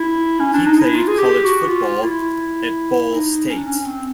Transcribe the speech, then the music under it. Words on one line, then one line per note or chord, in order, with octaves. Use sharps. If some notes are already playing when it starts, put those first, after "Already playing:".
He played college football at Ball State.
Already playing: E4
C#4
D4
D#4
E4
F4
G#4
G4
F#4
F4
E4
D#4
C#4
D4
C#4
C4